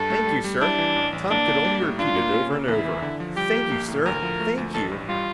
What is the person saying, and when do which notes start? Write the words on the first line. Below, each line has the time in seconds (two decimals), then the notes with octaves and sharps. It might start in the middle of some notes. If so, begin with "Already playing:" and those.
"Thank you, sir"--Tom could only repeat it over and over--"thank you, sir--thank you."
Already playing: G2 A4
0.10 A3
0.27 G3
0.44 G3
0.61 D4 E4
0.79 E3
0.96 A1
1.13 A1
1.30 A#3 D4
1.48 A#3
1.65 G3
1.82 A2
1.99 D4 F4
2.16 A#3
2.33 C#4
2.51 C#3
2.68 E2 E4
2.85 E3
3.02 D3
3.20 F3
3.36 G3 G4
3.54 A#3
3.71 A#1
3.88 A2
4.05 D2 A#4
4.23 F3
4.40 A3
4.57 D2
4.74 A1 A4
4.92 G2
5.09 G3 F4